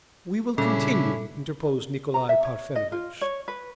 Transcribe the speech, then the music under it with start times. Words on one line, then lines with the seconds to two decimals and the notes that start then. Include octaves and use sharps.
"We will continue," interposed Nikolay Parfenovitch.
0.58 A#2 C#3 G3 C#4 D4 E4 A4
2.14 A#5
2.29 E5
2.44 C#5
2.76 D#5
2.92 F4
3.21 C#5
3.48 B4